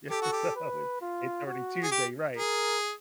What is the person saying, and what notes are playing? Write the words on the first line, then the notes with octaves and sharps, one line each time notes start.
Yeah, so it it's already Tuesday, right.
G4 A4
F#4
G4
B4
F4
F#4
G#4
G4
G#4 A#4